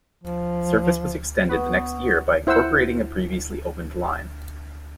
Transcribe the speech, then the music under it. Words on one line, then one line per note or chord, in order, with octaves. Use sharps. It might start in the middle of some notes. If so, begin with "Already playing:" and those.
Service was extended the next year by incorporating a previously opened line.
F3
B3 B4 F#5 C#6 D#6
E4 C5 F#5 E6